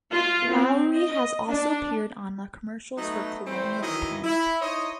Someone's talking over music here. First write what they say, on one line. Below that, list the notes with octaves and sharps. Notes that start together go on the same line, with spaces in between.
Lowery has also appeared on the commercials for Colonial Penn.
F4
C4
D#5
D4
F#3 A3 B3 D#4
E3 G3 A3 C4 C5
D#3 E3 F#3 E4 D#5
E4
D#4 E4 C5 C#5 D#5